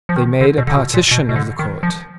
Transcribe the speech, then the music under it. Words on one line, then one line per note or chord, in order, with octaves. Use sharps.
They made a partition of the court.
F3
D#3
D3
B2
D3
B2
A#2
B2
B2
D3
D#3
F3